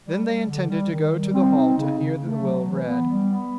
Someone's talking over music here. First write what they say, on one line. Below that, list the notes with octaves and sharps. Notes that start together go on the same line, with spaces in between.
Then they intended to go to the Hall to hear the will read.
G3
G3
D3
G3
D#3
G3
C4
D#4
C#3
C#3
A3
F#3
E3
B3
G3
B3